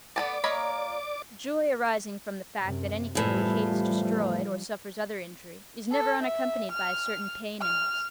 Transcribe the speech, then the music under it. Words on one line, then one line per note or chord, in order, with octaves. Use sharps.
Joy arising from the fact, that anything we hate is destroyed, or suffers other injury, is never unaccompanied by a certain pain in us.
A3 B3 D5 F#5 G#5 A5 D6
A#3 F4 C#5 D#5 A#5 B5
F#2 C3
E2 A2 F3 G3
A4
E5
F6
F6